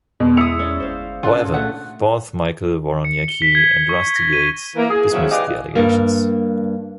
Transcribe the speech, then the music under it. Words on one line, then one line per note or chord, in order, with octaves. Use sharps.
However, both Michael Woroniecki and Rusty Yates dismissed the allegations.
E2 B2 G#3
E4 D#6 E6 C#7 F7
C#4 D5 D#5
G1 C5 F5
A#2 C#3 D4 F4 A4 F#5
C#3 A3 F#5
C#7
G7
B6
G#6
C#6
A#6
D#7
E3 A#3
G#4
E2 C#3 F3 F#3 G#3 E4
G4 G#4 B4 D5 D#5 F5
G2 A#3